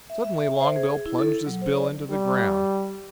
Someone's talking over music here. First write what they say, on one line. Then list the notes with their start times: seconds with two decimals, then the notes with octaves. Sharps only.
Suddenly Longbill plunged his bill into the ground.
0.10 E5
0.24 E5
0.40 E5
0.61 C5
0.76 G#4
1.06 E4
1.19 A4
1.46 F#3
1.62 C5
1.77 D5
2.11 G3